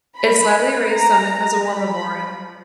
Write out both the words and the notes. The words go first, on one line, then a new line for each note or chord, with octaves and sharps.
Its lightly raised summit has a war memorial.
B5
A#5
B5